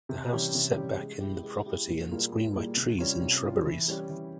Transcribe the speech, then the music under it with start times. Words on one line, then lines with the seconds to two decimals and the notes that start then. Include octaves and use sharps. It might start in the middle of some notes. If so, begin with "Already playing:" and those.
The house is set back in the property and screened by trees and shrubberies.
0.09 C3
0.32 E3 G3 C#4 G4
0.55 C3
0.76 E3 G3 C#4 G4
0.98 G#3
1.20 E4 G4
1.43 G#3
1.66 E4 G4
1.87 A#2
2.09 G3 A#3 F4 G#4
2.33 A#2
2.54 G3 A#3 F4 G#4
2.77 C3
2.98 G3 C#4 F4
3.21 C3
3.44 G3 C#4 F4
3.66 E3
3.88 G3 C#4 G4
4.09 E3